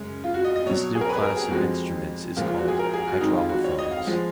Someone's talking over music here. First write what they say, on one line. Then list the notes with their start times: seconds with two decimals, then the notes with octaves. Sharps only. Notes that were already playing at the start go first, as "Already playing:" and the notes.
This new class of instruments is called hydraulophones.
Already playing: F#2 C#3 G#3
0.24 F4
0.34 F#4
0.45 D#5
0.56 D#5
0.66 B2 F#3 C#5
0.95 G#4
1.01 A#4
1.09 B4
1.17 G#4
1.23 A#4
1.37 G#4
1.51 F2 F3 G#3 F#4
2.36 A#2 F3 G#3 F4
2.47 F4
2.58 F#4
2.68 G#4
2.79 A#4
2.93 G#4
3.07 F#4
3.21 F2 D#3 G#3 D#4
3.36 F4
3.49 F#4
3.64 C#5
3.78 D#5
3.91 F5
4.07 F3 G#3